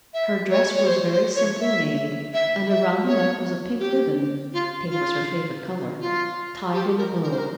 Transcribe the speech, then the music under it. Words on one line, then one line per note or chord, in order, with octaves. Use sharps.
Her dress was very simply made, and around the neck was a pink ribbon--pink was her favourite colour--tied in a bow.
E5
C#5
C#5
C5
C5
C#5
E5
E5
E5
C#5
G4
F4
F4
F4
G4
A#4
A#4
C5
A#4